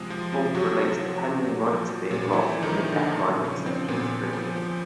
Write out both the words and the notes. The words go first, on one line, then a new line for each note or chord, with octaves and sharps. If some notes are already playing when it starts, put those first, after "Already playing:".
The fault relates to pending writes being lost when the F-line exception is triggered.
Already playing: C3 F3 G#3 G#4
F3
C3
C3 F#3 F#4
F3
F3
C3
A#2
F3
F3
A#2
A#2 E3 E4
F3
D#3 D#4
F3
D3 D4
A#2
A#2
C#3 F3 C#4
F3 C4
A#2 B3
A#2
F3
F3